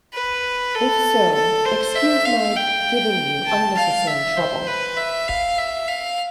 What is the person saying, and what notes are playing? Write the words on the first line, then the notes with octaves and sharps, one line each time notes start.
If so, excuse my giving you unnecessary trouble.
B4
A4
A4
C5
E5
F5
G5
A5
F5
E5
C5
B4
E5
F5
E5
F5